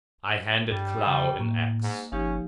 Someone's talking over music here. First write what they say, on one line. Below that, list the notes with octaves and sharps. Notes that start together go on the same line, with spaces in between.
I handed Klow an ax.
G2 G3 A6
C#3 G5
A2 A#3 C#6
G#2
G1 F3 C#4 D#4 G4